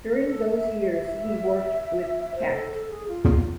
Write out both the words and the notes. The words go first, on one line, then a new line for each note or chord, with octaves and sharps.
During those years he worked with Capt.
C5
A4
E5
E5
C5
A4
A4
G#4
F4
F4